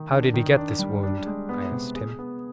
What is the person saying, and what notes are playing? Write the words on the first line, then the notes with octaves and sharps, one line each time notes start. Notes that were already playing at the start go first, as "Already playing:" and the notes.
"How did he get this wound?" I asked him.
Already playing: D#3
D4
D#3
D4
G3
D4
G#3
B3
C3
G#4
B3